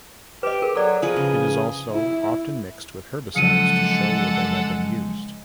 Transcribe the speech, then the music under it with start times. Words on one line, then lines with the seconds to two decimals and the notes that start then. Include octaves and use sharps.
It is also often mixed with herbicides to show where they have been used.
0.43 G4 B4 D#5
0.62 G#4 A#4
0.76 F#3 A4 D5
1.02 F3 G#4 A#4 B4
1.16 C#3
1.91 E4
3.36 C#3 F3 F#3 G#3 A4 F#5 C#7 D#7